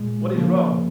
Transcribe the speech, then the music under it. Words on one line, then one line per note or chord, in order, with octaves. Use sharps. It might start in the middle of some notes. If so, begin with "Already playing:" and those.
What is wrong?
Already playing: A#2 G#3
C#3 F3 A#3